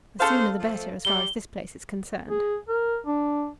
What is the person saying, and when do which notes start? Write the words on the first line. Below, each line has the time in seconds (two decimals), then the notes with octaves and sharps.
"The sooner the better as far as this place is concerned."
0.20 C#4 G#4 A4 C5 F5
0.60 F3 A3
1.05 G3 G7
2.30 G#4
2.68 A#4
3.07 D4